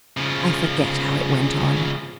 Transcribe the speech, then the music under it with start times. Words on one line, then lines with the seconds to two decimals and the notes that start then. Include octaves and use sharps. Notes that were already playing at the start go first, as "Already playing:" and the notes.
I forget how it went on.
0.17 C#3 F3